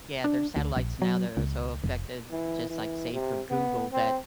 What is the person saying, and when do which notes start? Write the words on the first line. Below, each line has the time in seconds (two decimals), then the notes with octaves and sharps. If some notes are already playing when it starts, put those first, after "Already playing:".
yeah, there are satellites now that are so effective, just like, say, for Google, that
0.24 D4
0.56 D2
0.76 A#1
1.02 F#3
1.37 C#2
1.84 F1
2.31 E3
2.70 E3
3.13 C3
3.50 B3
3.93 C4